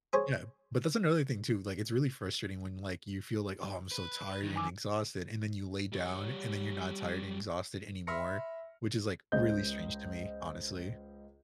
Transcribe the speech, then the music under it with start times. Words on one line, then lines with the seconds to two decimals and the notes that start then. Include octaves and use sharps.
Yeah, but that's another thing too, like, it's really frustrating when, like, you feel like, "Oh, I'm so tired and exhausted," and then you lay down, and then you're not tired and exhausted anymore, which is, like, really strange to me, honestly.
0.13 G#4 C5 C#5
3.91 B4
4.43 D#3 E3
4.56 G#5 D6 E6
5.93 G3 C#5
8.07 E5 B5 C6 F6 A#6 C#7
9.32 C#2 C#4 C5 D#5 G6